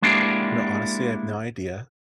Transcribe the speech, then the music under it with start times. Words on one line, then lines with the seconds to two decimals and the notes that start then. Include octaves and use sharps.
You know, honestly, I have no idea.
0.02 G#3 A#3 D4 E4 G4